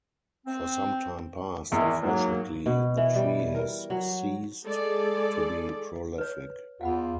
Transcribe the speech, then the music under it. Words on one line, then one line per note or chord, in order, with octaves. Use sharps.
For some time past, unfortunately, the tree has ceased to be prolific.
C4
E2 D#3 E3
G#2 F#3 A#3
B2
E3
G3
A#4
F#3
G#3 A4 D5
B4 C#5
E2 F4 F5 F#5 B5